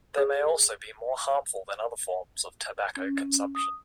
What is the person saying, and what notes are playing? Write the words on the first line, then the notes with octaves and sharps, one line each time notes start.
They may also be more harmful than other forms of tobacco consumption.
G#4
C#4
D#6